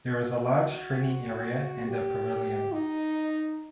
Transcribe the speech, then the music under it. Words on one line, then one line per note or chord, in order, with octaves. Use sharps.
There is a large training area and a pavilion.
F#4
G4
D#4